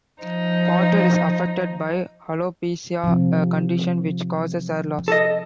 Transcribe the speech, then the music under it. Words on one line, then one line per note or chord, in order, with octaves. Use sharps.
Porter is affected by alopecia, a condition which causes hair loss.
F3 D#4
C3 F3
A4 D#5